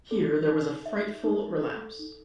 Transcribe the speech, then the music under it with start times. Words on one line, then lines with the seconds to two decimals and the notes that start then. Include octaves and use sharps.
Here there was a frightful relapse.
0.11 A4
0.48 D#4
0.86 E5
1.24 D#4
1.61 A4
1.99 D#4